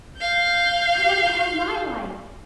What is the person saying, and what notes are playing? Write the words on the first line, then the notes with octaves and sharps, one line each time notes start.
I haven't had my life.
F5 G6